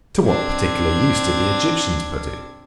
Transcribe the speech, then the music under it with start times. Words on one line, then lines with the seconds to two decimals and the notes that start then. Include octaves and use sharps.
To what particular use did the Egyptians put it?
0.25 C4 D4 G#6